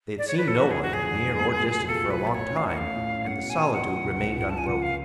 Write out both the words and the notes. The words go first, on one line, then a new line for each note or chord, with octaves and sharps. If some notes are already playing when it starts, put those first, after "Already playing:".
They had seen no one, near or distant, for a long time; and the solitude remained unbroken.
D5
C#5
B4
F#1 A4
F#1 F#4
G#4
D3 F#4
F2 G#4
D3
F#1
A3
B2
B2
F4 A4
B1
B4
F4
D5
A3 C#5
C#4
F5
C#4 F#5
A3 F5
A2
C#4
A3 F#5
B2
G#5
B2
F4 F#5
F4
C#2
C#2
C#3
F3 A5
G#5
C#2 F#5
F5